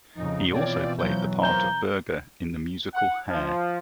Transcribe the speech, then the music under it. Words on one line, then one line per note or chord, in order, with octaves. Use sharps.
He also played the part of Berger in the musical "Hair".
F2 C#3 D#4
B2 E3 F3 C4 C#5 D5
F3 F#3 G6
F3 A#3 A#5 G6 G7
F#5
F3